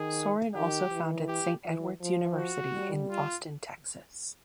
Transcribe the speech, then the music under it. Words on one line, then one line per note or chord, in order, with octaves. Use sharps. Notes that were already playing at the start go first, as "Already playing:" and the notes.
Sorin also founded Saint Edward's University in Austin, Texas.
Already playing: D#3 G#4
D#3 G4
E3
G4
E3
F3
F#4
G3
F4